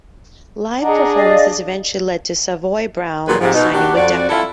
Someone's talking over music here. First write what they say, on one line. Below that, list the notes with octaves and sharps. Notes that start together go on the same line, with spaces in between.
Live performances eventually led to Savoy Brown signing with Decca.
D4 G#4 D#5 F#5 A#5
D5 D#5 F5
D#2 A#2 F#3 G3 G#4 B4
G#2 C3 F3
B2 D#4
D#2 D4 F#4 G4
F2 F#4 D5
E4 F4 A4